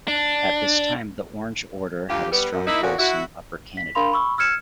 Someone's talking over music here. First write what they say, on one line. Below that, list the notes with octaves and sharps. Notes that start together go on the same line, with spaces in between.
At this time, the Orange Order had a strong voice in Upper Canada.
D4
D2 F4 G4
G3 B3
F#2
A#3 D#4 E4
F2 A#2 C#4 F#4
E4 F#4
B6
D4 A#4 F5 B5 C6 F7
B5 C#6 E6
E6 F6 G#6 C#7 E7